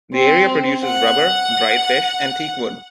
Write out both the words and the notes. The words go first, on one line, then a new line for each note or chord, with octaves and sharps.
The area produces rubber, dried fish, and teakwood.
C4
F#5